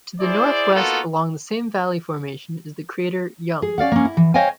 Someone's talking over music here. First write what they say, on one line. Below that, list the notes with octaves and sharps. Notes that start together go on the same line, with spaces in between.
To the northwest along the same valley formation is the crater Young.
E4 G#4 C5 D5
A#3 B3 D#4 F4 F#4 A4
G#4
C#4 D5 F5 F#5
A#3 C#4
E4
E3
C5 C#5 D#5 F5 G5 G#5